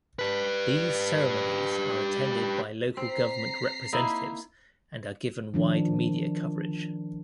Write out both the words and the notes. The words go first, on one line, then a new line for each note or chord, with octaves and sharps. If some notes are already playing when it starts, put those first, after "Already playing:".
These ceremonies are attended by local government representatives and are given wide media coverage.
G4 B4
C4 A#5 B6 C7
A#3 D#4 E4
D#3 F3 D4